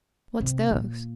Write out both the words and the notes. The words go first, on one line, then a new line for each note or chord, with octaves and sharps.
"What's those?"
C3
A#2